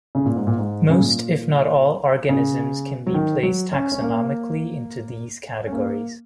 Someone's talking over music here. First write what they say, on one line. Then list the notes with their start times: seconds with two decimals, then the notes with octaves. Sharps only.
Most, if not all organisms can be placed taxonomically into these categories.
0.15 C#3
0.25 A#2
0.36 G#2
0.47 A#2
0.58 G#2
0.90 C#3
1.00 A#2
2.29 C#3
3.07 F#3
3.14 D#3
3.43 F#3
3.72 C#4
3.92 C#4
4.01 A#3
5.67 C#4
5.72 A#3